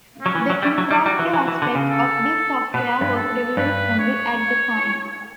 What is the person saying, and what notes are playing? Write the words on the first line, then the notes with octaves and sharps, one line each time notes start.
The interactive aspect of this software was revolutionary at the time.
F#3 C#4
E3
F#3
G3 E4
F#3
G3
G3 F#4
E3
E3
E3
D3
C#3
A4
B2 B4
G2
A4
G2 B4
C#5